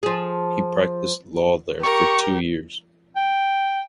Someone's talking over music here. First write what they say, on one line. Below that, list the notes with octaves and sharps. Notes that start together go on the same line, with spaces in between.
He practiced law there for two years.
F3 G#4
G4 A#4 C#6
G5